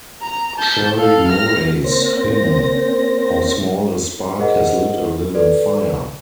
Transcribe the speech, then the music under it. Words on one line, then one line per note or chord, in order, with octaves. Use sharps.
Shirley Murray's hymn How small a spark has lit a living fire!
A#5
A5 G6
A4 F5
F6 A#6
A#3 C4 C#4 C5 A#6
G#4 A#4 C5 D#5 F#5
A4 B4 D5